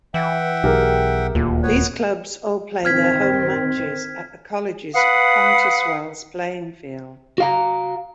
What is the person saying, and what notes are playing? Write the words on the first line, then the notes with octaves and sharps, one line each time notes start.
These clubs all play their home matches at the College's Countesswells Playing Field.
E3 E5 F#5 G5
B1 G4 G#4 A#4
D#1 D2 A#2
B3 B4 C#5
D#3 C4 F6 G#6 B6
B4 F5 F#5 D#6
F#4 F5 A#5